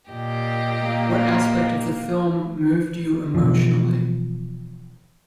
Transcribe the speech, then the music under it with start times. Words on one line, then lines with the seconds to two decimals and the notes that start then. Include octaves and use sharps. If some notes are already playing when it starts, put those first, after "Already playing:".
What aspect of the film moved you emotionally?
0.11 A#2 G4 D#5
0.80 A#3
3.35 B2 E3 F3